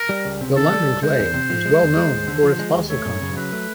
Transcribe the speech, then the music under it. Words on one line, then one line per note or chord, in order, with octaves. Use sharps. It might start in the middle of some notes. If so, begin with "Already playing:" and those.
The London Clay is well known for its fossil content.
Already playing: A#4
G3
C#2
C3
D#3 A4
G3
C#2
G#3 C5
E2
C3
F3
G#3
E2
G#3
D#2
D3
F3
G#3
D#2
A3 C#5
F#2
C#3
F#3 B4
A3